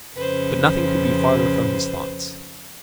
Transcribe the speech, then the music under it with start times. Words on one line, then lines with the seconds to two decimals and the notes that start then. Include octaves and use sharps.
But nothing could be farther from his thoughts.
0.16 F2 C#3 B4 C5